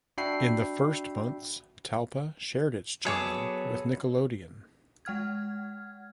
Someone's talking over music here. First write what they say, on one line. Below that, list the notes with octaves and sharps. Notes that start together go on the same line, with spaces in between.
In the first months Talpa shared its channel with Nickelodeon.
D4 F#4 E5 G5 B5 C7
F#3 B3 G#4 A4 C#5 D6
G#3 F#5 F6 G#6